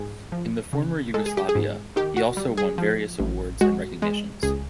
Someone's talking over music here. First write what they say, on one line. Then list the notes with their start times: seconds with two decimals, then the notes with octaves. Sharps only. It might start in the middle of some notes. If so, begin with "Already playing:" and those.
In the former Yugoslavia he also won various awards and recognitions.
Already playing: G#2 G#4
0.32 F3
0.73 C#3
1.14 G#3 A4
1.26 G#4
1.37 G4
1.49 G#4
1.55 G#2
1.96 D#3 G4
2.17 F#4
2.37 G3
2.57 G#4
2.78 F3
3.20 A1
3.61 G#3 F#4
4.02 G#3
4.43 C#2 G#4